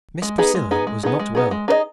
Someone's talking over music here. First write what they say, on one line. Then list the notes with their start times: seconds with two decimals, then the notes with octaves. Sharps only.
Miss Priscilla was not well.
0.22 G#3
0.38 B3 D#4 G#4
0.55 G#3
0.71 B3 D#4 G#4
0.87 G#3
1.03 B3 D#4 G#4
1.19 G#3
1.35 B3 D#4 G#4
1.51 G#3
1.68 D#4 G#4 B4 D#5